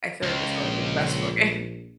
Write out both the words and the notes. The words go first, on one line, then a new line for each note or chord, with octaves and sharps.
I feel like it's a little stressful game.
C#2
A#1